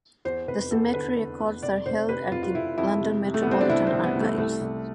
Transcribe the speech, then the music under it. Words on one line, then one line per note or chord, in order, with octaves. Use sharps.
The cemetery records are held at the London Metropolitan Archives.
E2 C5
F1 B4
E2 A4
D3 B4
D3
E2
F1 D5
F1 C5
C3 B4
F1 F4
F4
F1 E4
F2 E4
C3
C3
A3
B3
C2 C4
D4
C2 E4
C4
C2
B3
C2
A3
C2 A3
C2